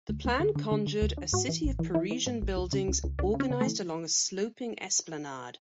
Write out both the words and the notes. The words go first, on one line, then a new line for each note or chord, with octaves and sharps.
The plan conjured a city of Parisian buildings organized along a sloping esplanade.
D2
D2
D3
D3
D3
D3
D2
D3
G#2 F#4
E3
A1
E3
E3 E4
E3
G#2
A1
C#2
C#3
C#2
C#2
C#2 D4
C#3
C#4
C#3
E3 A3